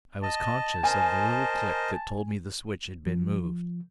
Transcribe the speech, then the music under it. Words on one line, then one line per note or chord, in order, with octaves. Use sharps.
I was conscious of the little click that told me the switch had been moved.
D#5 A5
A#4 C5 D#5 G#5
F3